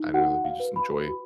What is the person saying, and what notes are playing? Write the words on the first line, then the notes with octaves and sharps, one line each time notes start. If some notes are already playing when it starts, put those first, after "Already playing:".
I don't know, we just enjoy
Already playing: D#4
F#4 F#5
F5
B4
B5
F#4